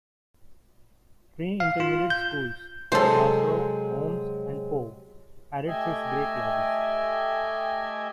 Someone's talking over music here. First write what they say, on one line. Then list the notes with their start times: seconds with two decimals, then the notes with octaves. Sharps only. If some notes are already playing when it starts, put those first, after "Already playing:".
Three intermediate schools, Glasgow, Holmes and Poe, added sixth grade classes.
1.60 F5
1.80 F4
2.10 G6
2.92 C3 F#3 G#3 A4 C5
5.67 A3 G4 D#5 E5 G#5